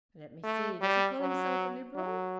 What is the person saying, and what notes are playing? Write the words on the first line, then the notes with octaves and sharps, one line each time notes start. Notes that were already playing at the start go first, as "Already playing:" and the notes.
"Let me see, does he call himself a Liberal?"
A3
G3
F#3
F#3